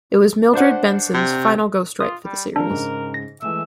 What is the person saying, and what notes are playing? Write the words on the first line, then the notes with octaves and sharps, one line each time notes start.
It was Mildred Benson's final ghostwrite for the series.
D4 C5 F#5
C3
F4 D#6
G3
G#1 F3 D4 A#4
G#2 C#3
A#6
E3 G#3 A3 E5